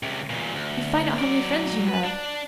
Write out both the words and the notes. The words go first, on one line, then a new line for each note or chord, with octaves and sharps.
You find out how many friends you have.
C#2 C3
E2 A#2
D2
F#3 D5
B4
D4